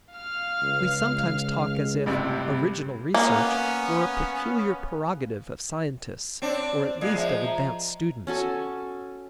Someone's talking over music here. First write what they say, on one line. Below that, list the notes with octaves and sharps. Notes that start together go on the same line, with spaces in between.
We sometimes talk as if "original research" were a peculiar prerogative of scientists or at least of advanced students.
F5 F6
C#2
A1 G2 C3
A#3 B3 C#4
C4 D4 C#5 D5
D5
A#2 G#3 F4 G#4 D5
F3 D#5 E5
A#5
C#4 F#4 A4 G#5